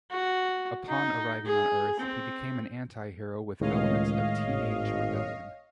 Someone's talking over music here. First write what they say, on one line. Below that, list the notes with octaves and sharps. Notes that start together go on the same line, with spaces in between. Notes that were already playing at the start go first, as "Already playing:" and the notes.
Upon arriving on Earth, he became an anti-hero with elements of teenage rebellion.
F#4
D#4
G#4
C4
C#2 A2 D#3 G#3 C#5 D#5 F5
G#1